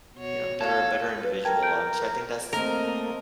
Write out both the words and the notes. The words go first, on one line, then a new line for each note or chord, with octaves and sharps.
you know, better better individual, um, so I think that's
B2 F#4 C#5
A4 F5 G#6
B4
A#4 G5 A5 G#6
G6 D7
A3 A#3 C4 A#4 D#5